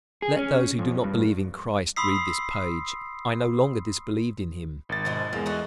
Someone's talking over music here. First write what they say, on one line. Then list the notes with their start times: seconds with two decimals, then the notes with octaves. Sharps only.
Let those who do not believe in Christ read this page; I no longer disbelieved in him.
0.22 G#4
0.36 C#4
0.79 F2
1.04 G2
1.96 B5 C6 D#6 E6 B6 C7
4.89 G#1 A6
5.05 B2 F3 G#3
5.33 E2 G#3 A#3
5.46 A3 F#4 D#5